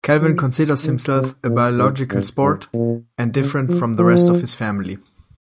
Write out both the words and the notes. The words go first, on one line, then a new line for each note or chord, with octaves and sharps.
Calvin considers himself a biological "sport" and different from the rest of his family.
F3
D#3
C3
A#2
G#2
G2
G2
A#2
C#3
F3
F3